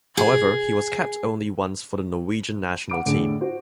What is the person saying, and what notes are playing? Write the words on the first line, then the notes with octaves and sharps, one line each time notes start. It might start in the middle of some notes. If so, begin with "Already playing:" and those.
However, he was capped only once for the Norwegian national team.
G#4
F#5 D6 D7
A2 D3 G#4 D7
F#4 C5